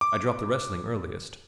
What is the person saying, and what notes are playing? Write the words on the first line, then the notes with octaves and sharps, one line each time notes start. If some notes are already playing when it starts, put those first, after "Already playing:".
I dropped the wrestling earliest.
D6